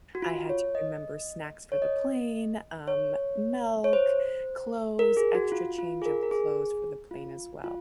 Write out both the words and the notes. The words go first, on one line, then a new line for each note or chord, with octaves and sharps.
I had to remember snacks for the plane, um, milk, clothes, extra change of clothes for the plane as well.
F#4
F4
C#5
D#5
C#5
D#5
C#5
C#5
C5
A#4
G#4
F#4
F4
F4
G#4
A#4
A#4
G#4
F4
F4